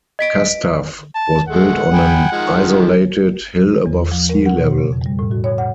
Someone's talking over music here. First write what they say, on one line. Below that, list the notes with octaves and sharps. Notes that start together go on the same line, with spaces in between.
Kastav was built on an isolated hill above sea level.
D#5 B6 D7
A5
G#3 A3 F#5
G5 G#5 B5
D#3 F3 G#3
E2
F3
A#4
F#5
B2
C#3
F2
G3
A2
F#4
C#5
F#5